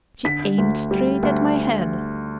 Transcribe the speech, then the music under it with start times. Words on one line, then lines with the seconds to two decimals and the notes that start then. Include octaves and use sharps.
She aimed straight at my head.
0.25 D3 B6
0.58 D2
0.91 G3
1.23 D2